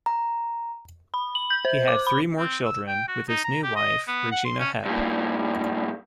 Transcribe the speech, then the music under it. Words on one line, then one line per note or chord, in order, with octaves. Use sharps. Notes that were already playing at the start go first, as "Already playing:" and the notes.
He had three more children with his new wife Regina Hepp.
A#5
B5
F#7
G6
C5
D6
B5
C4
E6
G5
F#4
D#4
A#5
G4
D#5
B3
F#5
C6
C#4
G2 A#2